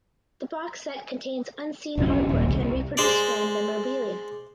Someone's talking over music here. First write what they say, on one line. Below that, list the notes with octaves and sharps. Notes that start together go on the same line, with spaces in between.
The box set contains unseen artwork and reproduced band memorabilia.
F1 B1 F2 C#4
D#1
C2
G#3 C5 D5